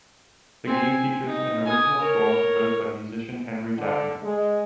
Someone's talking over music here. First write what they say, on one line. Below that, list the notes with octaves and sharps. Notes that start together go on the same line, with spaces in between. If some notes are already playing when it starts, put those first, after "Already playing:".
The game features an original score composed by musician Henry Jackman.
C4 G#5
D#4
G#5 D#6
A#4 C#5
D3
G#3